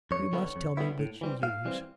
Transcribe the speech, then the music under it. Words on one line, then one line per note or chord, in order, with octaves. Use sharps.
'You must tell me which you use.'
F2 C#5
D3 G3 B3 E4
F2
D3 G3 B3 E4
A2
E3 G3 C4
A2 F5
E3 G3 C4